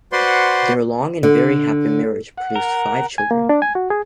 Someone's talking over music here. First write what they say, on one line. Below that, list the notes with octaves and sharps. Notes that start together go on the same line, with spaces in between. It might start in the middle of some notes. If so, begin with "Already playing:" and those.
Their long and very happy marriage produced five children.
F#4 B4 C5 D5 F#5 C6
D3
F#5
A#4
G#5
A#3
D4
G#5
F#4
G#4